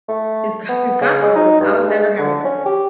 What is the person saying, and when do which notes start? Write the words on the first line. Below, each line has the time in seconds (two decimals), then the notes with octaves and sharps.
His godfather was Alexander Hamilton.
0.08 A3
0.69 B3
1.01 C#3
1.22 G#3
1.36 D#4
1.61 G2
1.88 G#3
2.19 D3
2.45 C#4
2.66 G4